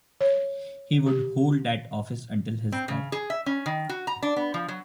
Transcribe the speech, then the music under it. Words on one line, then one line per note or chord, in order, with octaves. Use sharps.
He would hold that office until his death.
C#5
G4
C4
C#3
G#4
E5
C#4
D#3
F#4
A#5
D4
B3
F3
F#3